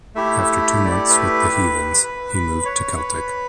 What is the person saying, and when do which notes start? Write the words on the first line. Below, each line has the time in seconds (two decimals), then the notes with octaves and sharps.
After two months with the Heathens, he moved to Celtic.
0.15 A3 E4 G4 E5
0.38 E5
0.61 E5
0.85 D5
1.09 B4
2.03 B4
2.35 B4
2.65 C#5
2.97 B4